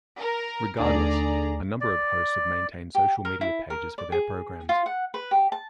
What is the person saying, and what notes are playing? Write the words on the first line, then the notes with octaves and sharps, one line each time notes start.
Regardless, a number of hosts have maintained social media pages for their programs.
A#4
D#2 D3 A3 G#4 D5 A#5
D5
G4
A#4
E4
A#4
D5
G#4
F4
F#5
B4
G4
A5